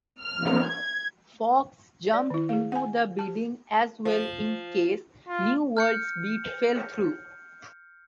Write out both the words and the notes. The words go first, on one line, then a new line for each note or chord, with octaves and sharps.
Fox jumped into the bidding as well in case New World's bid fell through.
F6
G#6
D5
D#3 E4
G#4 F5
F#5 G#5
G4 A5
F3
F4
F6 G6 C#7